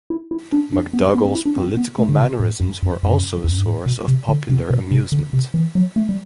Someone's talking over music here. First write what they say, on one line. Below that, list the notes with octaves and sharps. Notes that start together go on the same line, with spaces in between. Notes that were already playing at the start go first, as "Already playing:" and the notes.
McDougall's political mannerisms were also a source of popular amusement.
E4
E4
D4
D4
B3
B3
C4
E4
D4
C4
B3
A3
D3
C3
A2
F#2
F#2
F#2
E2
F#2
G2
A2
B2
C3
D3
C3
B2
C3
D3
C3
E3
F#3
A3
G3